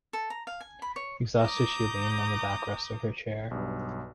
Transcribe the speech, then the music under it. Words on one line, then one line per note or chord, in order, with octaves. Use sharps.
Exhausted she leaned on the backrest of her chair.
A4
A#5
F5
G#5
B5
C#5
A#5 D6 D#6 G6
B1 G2